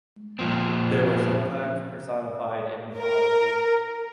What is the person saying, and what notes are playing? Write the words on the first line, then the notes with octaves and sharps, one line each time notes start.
They were sometimes personified in mythology.
A#2 F3 C4
A#4